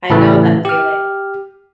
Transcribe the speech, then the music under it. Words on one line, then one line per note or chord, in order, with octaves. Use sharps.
I know that feeling.
A2 C#3 E3 A3
G4 F6